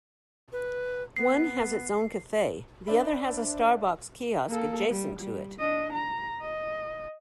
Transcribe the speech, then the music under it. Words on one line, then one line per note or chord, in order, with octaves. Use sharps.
One has its own cafe; the other has a Starbucks kiosk adjacent to it.
B4
B3 C7
D4 C5 D5 E5 B5
A#3 A4
G3
G3
D4 D#5
A#5
D#5